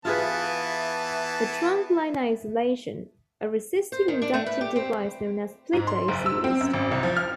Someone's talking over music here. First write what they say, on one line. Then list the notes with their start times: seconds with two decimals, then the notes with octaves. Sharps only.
For trunk line isolation, a resistive inductive device known as splitter is used.
0.05 E3 B3 F4 G#4 B4 E5 A5
3.92 C5
4.08 D#3
4.22 D4
4.34 A3
4.46 B4
4.61 G4
4.76 C4
5.73 G#2
5.87 C6
6.08 F#1
6.26 E6
6.44 C4
6.61 F#2
6.73 G#1
6.92 C2
7.03 F3
7.17 F6